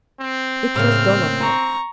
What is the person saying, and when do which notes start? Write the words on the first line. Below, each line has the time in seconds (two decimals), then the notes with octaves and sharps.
It was Dolokhov.
0.21 C4
0.76 A2 C#3 A#3 F6
1.41 A#5 C#6